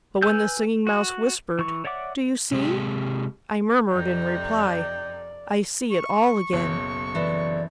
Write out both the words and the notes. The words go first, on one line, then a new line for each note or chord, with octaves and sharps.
But when the Singing Mouse whispered, "Do you see?" I murmured in reply, "I see it all again!"
B4 G#5 E6 G6
F#4
E3 C#6
C#5 D5 E5 F#5 D6
C3 G#3 G4
F2 C3 D#4 D5 G5
C#6
F#1 B1
E3 A4 A#4 D5